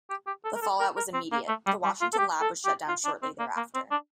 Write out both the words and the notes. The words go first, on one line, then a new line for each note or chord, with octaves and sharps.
The fallout was immediate; the Washington lab was shut down shortly thereafter.
G4
G4
A4
A#4
A4
A#4
A#4
C4
A#3
A3
G3
G3
F4
A4
G4
A4
G4
F4
D4
C4
A#3
A#3
C4
D4